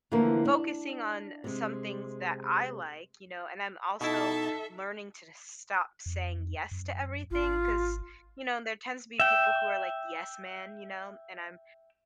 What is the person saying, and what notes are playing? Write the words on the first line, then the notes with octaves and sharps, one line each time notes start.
focusing on some things that I like, you know, and I'm also learning to stop saying yes to everything, 'cause, you know, there tends to be people who are like, yes-men, you know, and I'm
D3 E3 F3 A3 A#3
D4
C3 G#3
B2 D#4 E4 A4 E5 A5
F2
F#2
G#1 F4
E5 G5